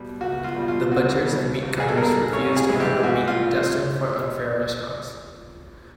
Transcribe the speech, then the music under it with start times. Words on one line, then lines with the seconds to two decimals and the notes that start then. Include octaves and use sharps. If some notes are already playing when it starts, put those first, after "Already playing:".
The butchers and meat cutters refused to handle meat destined for unfair restaurants.
Already playing: B2 G3
0.21 C#2 F#4
0.44 F4
0.56 B2 G3
0.68 F4
0.92 C#2 F#4
1.27 B2 G3
1.62 C#2
1.80 G#4
1.88 A4
1.97 B2 G3 A#4
2.33 A1 C#5
2.57 G#4
2.68 G2 E3 G#3
2.80 G4
3.03 A1 F#4
3.28 F4